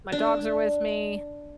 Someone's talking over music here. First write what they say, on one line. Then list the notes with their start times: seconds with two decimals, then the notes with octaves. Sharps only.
my dogs are with me
0.12 D4